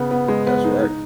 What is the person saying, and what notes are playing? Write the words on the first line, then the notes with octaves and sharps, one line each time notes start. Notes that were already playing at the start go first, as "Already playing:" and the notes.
That's right.
Already playing: C#3 B3
B3
G#3
B3
D#4
D#4